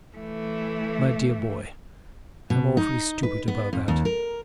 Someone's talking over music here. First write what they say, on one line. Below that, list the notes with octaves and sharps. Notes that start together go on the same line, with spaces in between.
My dear boy, I'm awfully stupid about that.
E3 A3
B2
D#4
B4
B3
F2
D#2
A#4